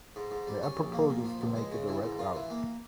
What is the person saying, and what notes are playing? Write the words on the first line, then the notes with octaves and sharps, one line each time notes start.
There are proposals to make it a red route.
G#2
G#2
G3
C#4
A#1
A#3
A#2
F3
C#2
G#3
C#3
E3
G#2
F4
E3
A#3